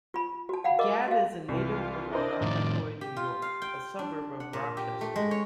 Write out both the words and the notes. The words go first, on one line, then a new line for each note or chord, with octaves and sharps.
Gadd is a native of Irondequoit, New York, a suburb of Rochester.
F4 B5
F#4 A5
F5 F#5 B5
A#4 D#5 E5 D6
F#4 F5
C2 E3 F4 G4
D4 E4 A#4 C5 D5 D#5
A2 D#3 D5
G4
F4
F5
G5
D4
F#5
A#2
G4
A3
G#3
C#5